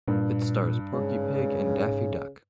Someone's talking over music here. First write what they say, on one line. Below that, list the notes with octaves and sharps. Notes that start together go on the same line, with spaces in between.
It stars Porky Pig and Daffy Duck.
G2 A#2
G#2 C#3